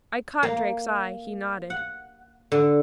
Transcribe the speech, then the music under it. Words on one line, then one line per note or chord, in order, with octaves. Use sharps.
I caught Drake's eye; he nodded.
A#3
F#5
D3